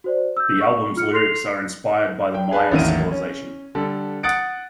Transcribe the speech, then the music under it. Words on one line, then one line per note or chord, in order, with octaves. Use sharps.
The album's lyrics are inspired by the Maya civilization.
F#4 C5 D5
E6 G6
C#6
F4 F6 C#7
A4 C6 C7 F7
G5
G#4 B4 G#5 A5
A1 E2 D#3 A#3 E4 D#7
C#4
D3 G3 A4
F#5 D#6 F#6 A6 C#7 D7